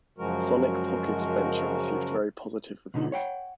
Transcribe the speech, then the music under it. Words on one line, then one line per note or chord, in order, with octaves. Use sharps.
"Sonic Pocket Adventure" received very positive reviews.
F#2 C#3 F3 G#3 F#4 A#4
B2 D3 D#4
C#5 F#5 G5